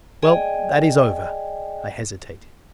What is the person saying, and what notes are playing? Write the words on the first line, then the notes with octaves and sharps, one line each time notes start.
"Well, that is over." I hesitated.
G#4 D5 D#5 G5 G#5